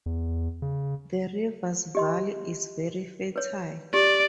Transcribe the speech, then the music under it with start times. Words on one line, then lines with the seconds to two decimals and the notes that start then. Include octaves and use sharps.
The river's valley is very fertile.
0.06 E2
0.62 C#3
1.95 G4 D#5 C6
3.36 B4 C#5
3.94 G4 D5